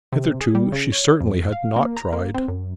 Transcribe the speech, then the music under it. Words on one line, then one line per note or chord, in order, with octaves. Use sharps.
Hitherto she certainly had not tried.
C3
G#4
G3
C#3
C#5
F2
F5
A#3
A#5
A#3
C4
F#2